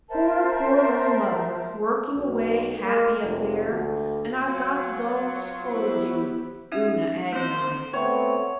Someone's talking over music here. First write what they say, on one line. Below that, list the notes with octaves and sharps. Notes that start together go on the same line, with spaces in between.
"Poor, poor little mother, working away happy up there, and I've got to go and scold you," Una agonized.
A#4 C5 E5 A5
B1
A#3
F1
D2
F#3 F4 C#5
B3 E4 G4 C5
C#4 D#4 E5
A#3 C4 C5
A3 B3 C4 C#5